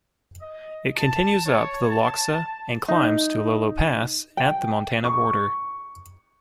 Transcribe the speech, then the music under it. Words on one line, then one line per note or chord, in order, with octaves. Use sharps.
It continues up the Lochsa and climbs to Lolo Pass at the Montana border.
D#5
A5
C#5
A5
D#4
G5
C#6